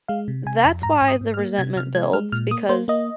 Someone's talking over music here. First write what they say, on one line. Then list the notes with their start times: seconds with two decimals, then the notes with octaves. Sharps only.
that's why the resentment builds because
0.08 G#3 F5
0.28 C3
0.46 C3 G#5
0.65 F2
0.83 G#2 A#5
1.02 G#2
1.08 D#6
1.21 G#2
1.34 F6
1.39 A#3
1.58 C3 G#6
1.76 C3 F6
1.95 G#3 G#6
2.13 G#3 F6
2.32 A#2 F6
2.51 A#3 D#6
2.69 A#3 C5
2.88 A#3 D#5